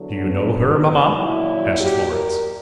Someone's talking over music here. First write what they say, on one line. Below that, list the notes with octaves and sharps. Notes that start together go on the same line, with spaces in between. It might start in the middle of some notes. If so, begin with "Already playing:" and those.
"Do you know her, mamma?" asked Florence.
Already playing: E2 D3 F#3
B3
A#2 F#3 E4
G4
A#4